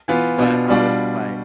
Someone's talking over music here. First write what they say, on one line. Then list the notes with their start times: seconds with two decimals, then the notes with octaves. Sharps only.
but I was just, like,
0.08 E3 B3 F4
0.38 B2 B3 D4 F4
0.68 B2 G3 D4 F4